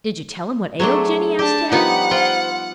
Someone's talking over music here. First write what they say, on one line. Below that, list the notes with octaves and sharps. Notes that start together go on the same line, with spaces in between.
"Did you tell him what ailed Jinny?" asked Tad.
F#3 A3 D4 G#4 C5 C#5
D4 G4 A5
F3 G3 B3 D#4 F#5
F4 C5 C6